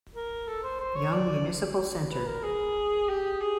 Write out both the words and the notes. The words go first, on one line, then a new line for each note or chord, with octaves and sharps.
Young Municipal Center.
A#4
A4
C5
C5
C#5
D5
B4
A#4
G#4
G4
G#4